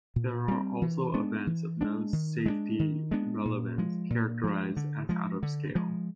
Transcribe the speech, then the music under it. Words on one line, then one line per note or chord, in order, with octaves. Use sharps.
There are also events of no safety relevance, characterized as "out of scale".
A#2
G3 C4
E3
G#3 B3 D4
E3
G#3 B3 D4
D#3
G#3 B3 D4
D#3
G#3 B3 D4
A#2
F3 G#3
A#2
F3 G#3
D3
F3 G#3
D3
F3 G#3